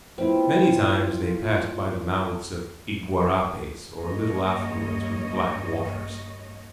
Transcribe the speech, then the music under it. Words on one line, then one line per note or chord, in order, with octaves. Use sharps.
Many times they passed by the mouths of iguarapes, or little affluents, with black waters.
B3 C4 E4 F4
G2 G3 A#3 C#5 D#5